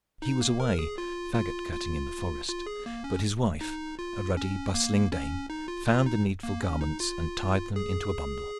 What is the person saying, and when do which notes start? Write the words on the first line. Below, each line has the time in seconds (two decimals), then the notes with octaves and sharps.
He was away faggot-cutting in the forest, but his wife, a ruddy bustling dame, found the needful garments and tied them into a bundle.
0.22 D#4
0.41 A#3
0.60 A#4
0.79 G#4
0.98 F4
1.35 F4
1.73 F4
2.48 F4
2.66 G#4
2.86 A#3
3.04 C#4
3.61 D#4
3.99 F4
4.37 C#4
4.74 A#3
5.12 C#4
5.50 D#4
5.68 F4
5.87 F4
6.06 D#4
6.43 A#3
6.63 C#4
6.81 D#4
7.00 F4
7.76 G#4